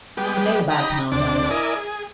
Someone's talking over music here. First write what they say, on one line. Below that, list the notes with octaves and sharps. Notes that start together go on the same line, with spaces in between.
I made about a pound of it.
G3 G#3 B3 G4
D#4 G4 A#5 B5
D2 C3 D4 D5
E4 A#4 D5 D#5 G#5
G#4